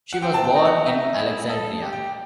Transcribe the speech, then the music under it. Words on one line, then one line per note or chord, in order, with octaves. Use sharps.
She was born in Alexandria.
F#5
C4 G5
A5
G5
D#4
F#5
D#4 E5
E4 D#5
A4 D#5
G4
G5